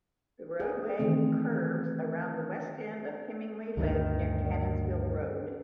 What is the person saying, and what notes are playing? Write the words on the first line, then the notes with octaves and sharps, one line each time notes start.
The roadway curves around the west end of Hemmingway Lake near Cannonsville Road.
G#4
D#3 E3 A3 C4
D2 G2 D#3